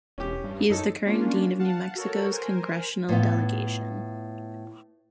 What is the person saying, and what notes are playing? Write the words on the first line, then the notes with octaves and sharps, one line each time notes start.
He is the current dean of New Mexico's Congressional Delegation.
E1 C#4 G4
G2
F#2 D#4 A4 C#5
A#3 C#4 D4 F4
F5 F#5 A5
F#4 A4 A#4 C#5
A#4 C5 G#5
A2 B3 F4